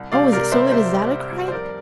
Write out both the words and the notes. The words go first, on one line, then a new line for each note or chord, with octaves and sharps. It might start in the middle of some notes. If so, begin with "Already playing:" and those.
"Oh, is it so late as that?" I cried.
Already playing: C2
C3 D5 F5
C3 A#4 D5
C3 C5 E5
C3 C5 E5
G3
G3
C2
C5
F1 A#4 D5